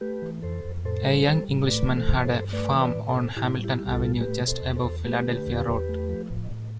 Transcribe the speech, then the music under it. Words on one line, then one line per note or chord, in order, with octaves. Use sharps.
A young Englishman had a farm on Hamilton Avenue just above Philadelphia Road.
A3 G4 B4
E3
F2 A4 C5
F2
A2 A4 C5
G3
G3
A2
A3 B4 D5
E3
A4 C5
G2
A4 C5
G2
A3 B4 D5
E3
B4 D5
A2
A4 C5
A2
A2 E4 G4
G3
E4 G4
G3
G4
F4 A4
A2
A3 G4 B4
B2
A4 C5
E2
A4 C5
E2
A3 G4 B4
D3
E2
E2
A3
F3
A2
A2